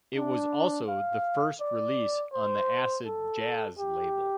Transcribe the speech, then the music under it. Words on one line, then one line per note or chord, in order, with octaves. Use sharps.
It was also the first release on the Acid Jazz label.
D4
F5
D5
C5
A4
G4